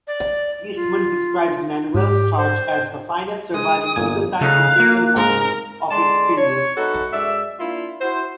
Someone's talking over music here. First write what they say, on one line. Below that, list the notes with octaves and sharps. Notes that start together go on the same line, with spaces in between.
Eastmond describes Manuel's church as the finest surviving Byzantine imperial monument of its period.
D5
F4
G#2 G4
C5
G#3 D#6
G1 A#2 G#5
C#3 A3 D#4 F5 F#6
A#3
G#2 A#4
D3 G#3 D5 A5 C6
C#5
A3 D#4 F#4 A4 B4
F#2 G#3 D5 E5
A#3 D4 E4 F4
E4 F#4 C5